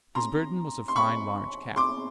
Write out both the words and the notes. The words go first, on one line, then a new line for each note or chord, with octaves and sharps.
His burden was a fine large cat.
A#5 C6
C6
B5 C#6
C6 D6